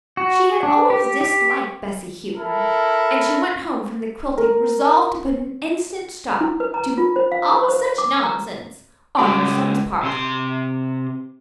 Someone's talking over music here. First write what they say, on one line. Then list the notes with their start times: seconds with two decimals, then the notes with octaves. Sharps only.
She had always disliked Bessy Houghton, and she went home from the quilting resolved to put an instant stop to "all such nonsense" on her son's part.
0.17 F#4
0.63 D4
0.90 G4
1.21 G4
2.37 E4 A4 A#4
4.38 A#4
6.41 E4
6.60 B4
6.74 A#5
6.98 F4
7.16 C5
7.32 F5
7.49 C#6
7.68 C5
7.98 D6
8.23 A#5
9.19 C#2 F#4 D5 F#5
10.03 C3 C6